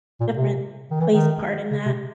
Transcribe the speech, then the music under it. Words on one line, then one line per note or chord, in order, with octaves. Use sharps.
different plays a part in that.
A#2
C3
D#3
E3
D#3
C#3
C3